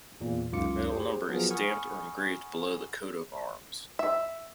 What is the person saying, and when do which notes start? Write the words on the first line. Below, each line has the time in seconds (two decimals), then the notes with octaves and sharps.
The medal number is stamped or engraved below the Coat of Arms.
0.20 E2 A#2
0.52 C#2 F#2 D#4 F4 D6 C#7
0.89 G4 G#4 C5 C#5
1.28 F3 F#3 B3 F4 G#4 A#4
1.50 F#5 G#5 B5 C#6 D#6 F6
3.99 E5